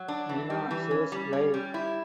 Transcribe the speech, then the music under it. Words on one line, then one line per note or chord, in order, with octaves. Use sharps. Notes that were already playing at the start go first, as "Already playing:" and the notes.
Nina says "Live".
Already playing: F#3
D4
E3
G3
E3
C#4
G3
C#4
G3
E4